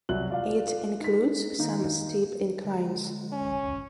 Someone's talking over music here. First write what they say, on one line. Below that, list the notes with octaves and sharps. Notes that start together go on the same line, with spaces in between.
It includes some steep inclines.
C2 F#3 F#6 F#7
F4 D5 F5
D#4 B6
D#3 A#3 D#4
D3 G#3
C#4